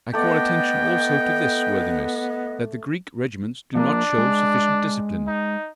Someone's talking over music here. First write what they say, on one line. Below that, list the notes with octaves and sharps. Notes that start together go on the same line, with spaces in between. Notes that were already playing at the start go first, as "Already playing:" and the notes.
I call attention also to this, worthiness, that the Greek regiments do not show sufficient discipline.
A3 B3 D5 D#5 G5
F3 A3 A#3 D4
G#3
D#4